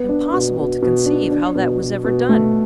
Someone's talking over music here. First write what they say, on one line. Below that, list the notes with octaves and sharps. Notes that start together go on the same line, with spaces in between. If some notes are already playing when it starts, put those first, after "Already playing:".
Impossible to conceive how that was ever done....
Already playing: B3
D4
B2
B2
B2
D4
D4
B2
B2
B2
A3